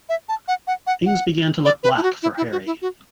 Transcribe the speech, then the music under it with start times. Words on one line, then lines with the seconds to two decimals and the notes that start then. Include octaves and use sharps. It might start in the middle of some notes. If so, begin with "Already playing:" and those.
Things began to look black for Harry.
0.09 E5
0.29 A5
0.48 F#5
0.67 F#5
0.87 F#5
1.06 F#5
1.65 D5
1.83 B4
1.97 E4
2.03 F#4
2.23 E4
2.37 E4
2.52 F#4
2.66 E4
2.82 F#4